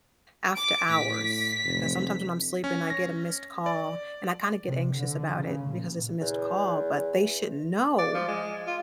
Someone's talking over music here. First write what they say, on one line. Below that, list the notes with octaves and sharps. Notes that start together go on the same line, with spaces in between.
after hours? Because sometimes when I'm sleeping, I get a missed call, and I kinda get anxious about it because it's a missed call, but they should know
D6 D7
A2 B6
F1
C#4
A#6
D5
C3
D3
C#3
A#2
E2
D5
F3
G#3
F4